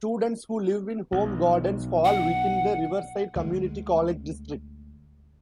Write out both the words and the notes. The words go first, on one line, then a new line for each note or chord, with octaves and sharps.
Students who live in Home Gardens fall within the Riverside Community College District.
B1
F#5
D2 G#3